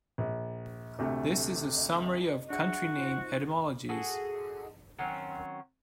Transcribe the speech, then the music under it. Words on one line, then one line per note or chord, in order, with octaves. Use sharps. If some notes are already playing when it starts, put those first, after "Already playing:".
This is a summary of country name etymologies.
A#1
D2 C3 A3
D4 F#4 G#4 E5 F#5
D#4 F4 C5
F#4 G#4 A4
D#3 F#3 C4 C#4